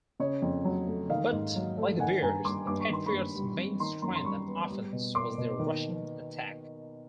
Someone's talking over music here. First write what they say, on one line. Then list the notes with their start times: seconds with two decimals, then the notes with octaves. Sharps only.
But like the Bears, the Patriots' main strength on offense was their rushing attack.
0.20 C#3 C#5 D#5
0.42 F2
0.65 F#3
0.87 A3
1.09 D#3 D#5 F5
1.32 G#2
1.55 F#3
1.77 A3
2.00 D#3 F#5 G#5
2.22 G2 G#5 A#5
2.45 G3 C6 D6
2.67 G2 D6
2.80 C#6
2.90 D#3 C6
3.06 B5 C#6
3.13 G2
3.35 G3
3.57 C4
3.80 D#3 A#5 C6
4.02 F#2 A#5 C6
4.15 C6
4.25 G3 B5 C#6
4.47 B3
4.70 G3
4.93 B2
5.15 A#3 C6 D6
5.38 B2
5.59 D#3